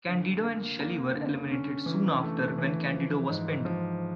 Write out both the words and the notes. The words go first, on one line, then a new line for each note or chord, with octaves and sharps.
Candido and Shelley were eliminated soon after when Candido was pinned.
D3
A#3
A#3
D3
C#4
E3
A3
E3
F3
G#2
F3